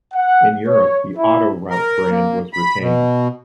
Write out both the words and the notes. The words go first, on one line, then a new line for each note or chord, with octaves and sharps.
In Europe the Autoroute brand was retained.
F#5
C#5
E4
A#4
A#3
B5
B2